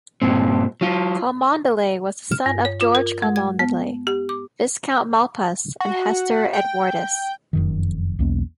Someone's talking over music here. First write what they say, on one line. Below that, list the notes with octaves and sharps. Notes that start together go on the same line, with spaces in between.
Cholmondeley was the son of George Cholmondeley, Viscount Malpas, and Hester Edwardes.
G2 A#2 C4
F#3 F4
F6
G2
C#5
F4
A#4
G#3
G#6
B3
G4
D6
F#4
G5
F1 F#2 D#3
B1 E2 A#3 C#4